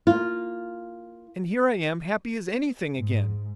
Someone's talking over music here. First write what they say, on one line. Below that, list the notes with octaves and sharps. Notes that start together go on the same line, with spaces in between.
And here I am happy as anything again.
A#3 F4
G#2